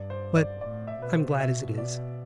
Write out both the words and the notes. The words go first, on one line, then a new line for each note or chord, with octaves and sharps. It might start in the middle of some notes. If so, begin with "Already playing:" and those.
But I am glad as it is!
Already playing: G2 D5
C5
D5
A2 D5
E5
B2 B4
C5
E5
D5